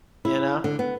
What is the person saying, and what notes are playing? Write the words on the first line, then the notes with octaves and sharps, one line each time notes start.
You know?
E4
D3
B3